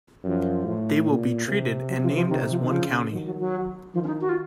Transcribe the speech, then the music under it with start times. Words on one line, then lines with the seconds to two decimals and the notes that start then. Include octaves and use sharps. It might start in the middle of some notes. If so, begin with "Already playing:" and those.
They will be treated and named as one county.
0.24 F#2 F3
0.66 A2
1.06 A#2
1.48 C3
1.89 F#3
2.02 F3
2.16 F3
2.29 C3 D#3
2.50 F3
2.63 D#3
2.71 C#3 F3
3.12 D#3 F#3
3.26 F#3
3.39 F#3
3.94 D#3 F3
4.04 C#4
4.07 D#4
4.21 F#4
4.29 F4